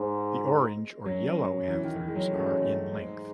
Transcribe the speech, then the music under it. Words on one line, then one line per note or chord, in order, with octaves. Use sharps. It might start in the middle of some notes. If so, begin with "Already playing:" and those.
The orange or yellow anthers are in length.
Already playing: G#2 G#3
F#2 F#3
E3
D#3
E3
G#3
F#3
F#2 A3
A3
G#2 G#3